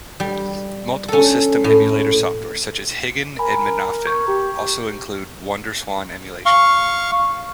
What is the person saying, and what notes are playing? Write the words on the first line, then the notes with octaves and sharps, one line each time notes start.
Multiple system emulator software such as Higan and Mednafen also include WonderSwan emulation.
G3
C#4 A4
A2
A#4 G#5 B5
C#6 G6 G#6
G4
F5 C#6